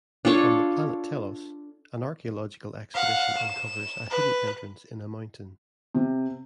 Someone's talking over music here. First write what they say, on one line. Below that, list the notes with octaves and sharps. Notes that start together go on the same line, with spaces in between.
On the planet Telos, an archaeological expedition uncovers a hidden entrance in a mountain.
D4 F4 A4 C#5
F5 F#5
E7
B4
C3